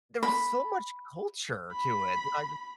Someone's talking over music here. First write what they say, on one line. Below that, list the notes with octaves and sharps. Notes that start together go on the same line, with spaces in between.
there was so much culture to it that I just
B5
B5